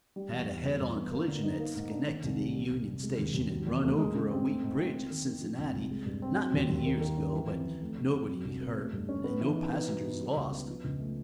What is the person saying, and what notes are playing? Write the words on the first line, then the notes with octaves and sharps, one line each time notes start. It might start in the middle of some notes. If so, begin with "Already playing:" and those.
Had a head-on collision at Schenectady union station and run over a weak bridge at Cincinnati, not many years ago, but nobody hurt, and no passengers lost.
G3
E2
E2
G3
G2
B3
A#3
D3
D#4
A#3
G#2
D4
D#3
C2
G3
G3
C2
C2
G#3
D#2
D#2
F#3
E2
A3
G#3
C#3
C4
A3
G#2
C4
A#3
D#3
D#3
F3
C2
C2
G#3
G2
C4
F#3
D#2
D#2
A#3
D#3
C#4
E3
F2
F2
A3
C3
C4
F#3
C2
B3
A3
G2
C#4
B3
E3
D#4
B3
B2
B2
G3
C#2
B3
F3
C#2
A3